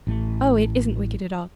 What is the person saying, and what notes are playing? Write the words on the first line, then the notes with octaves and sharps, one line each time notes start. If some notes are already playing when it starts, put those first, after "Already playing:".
Oh, it isn't wicked at all.
A1 A3